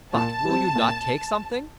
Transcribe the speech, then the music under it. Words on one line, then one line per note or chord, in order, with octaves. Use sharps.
But will you not take something?
A#2 A5
G3 C4
A#2